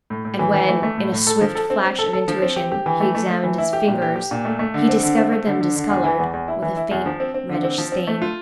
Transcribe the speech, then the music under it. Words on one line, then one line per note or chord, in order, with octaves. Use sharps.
And when, in a swift flash of intuition, he examined his fingers, he discovered them discoloured with a faint reddish stain.
A2
A2
E3
E3
A3
A3
A2
A2
A4
F3
A4
C4
C4
A4
A4
F3
C4
G4
G4
E3
A3
A3
A3
E3
E4
G4
A#2
G4
G4
A#2
A3
A3
D3
C4
D3
C4
A3
D3
D3
D3
E2
E3
E2
E2
E4
E3
E4
E2
F3
C4
C4
D3
C4
F3
C4
A3
F4